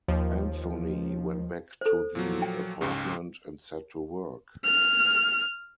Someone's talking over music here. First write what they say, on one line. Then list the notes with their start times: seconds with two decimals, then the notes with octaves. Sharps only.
Anthony went back to the apartment and set to work.
0.08 D#2 F3
1.81 A4 C5
2.15 A#2 F3 F#3
2.42 G5
2.81 C#2 G#2 C#3 G4
4.65 F6